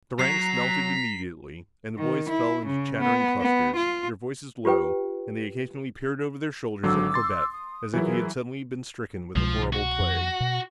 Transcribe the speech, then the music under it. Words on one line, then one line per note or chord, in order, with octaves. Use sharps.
The ranks melted immediately and the boys fell into chattering clusters, their voices low, and they occasionally peered over their shoulders at Corbett as if he had suddenly been stricken with a horrible plague.
F#3 A#5 B6 C7
D#3
E4
C#3
B3
B3
F4
F4 G4 B4 G5
G#1 D3 F#3 D6 E6
C6 A6
D#6
E3 F#3 E4 F4 G#4 A#4
C2 B2 F3 G#3
F#4
F2
B2